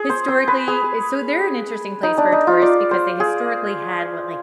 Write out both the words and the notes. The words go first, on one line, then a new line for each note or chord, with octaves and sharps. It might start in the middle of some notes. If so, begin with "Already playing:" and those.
historically So they're an interesting place for a tourist because they historically had, what, like,
Already playing: G#4
C5
C5
B4
G#4
D#4
D4
D#4
F4
D5
C5
G#4